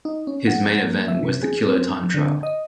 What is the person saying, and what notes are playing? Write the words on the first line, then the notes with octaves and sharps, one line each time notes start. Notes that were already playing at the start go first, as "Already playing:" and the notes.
His main event was the Kilo Time Trial.
D#4
C#4
F#5
A#3
E5
C3
G#4
C4
D3
D#5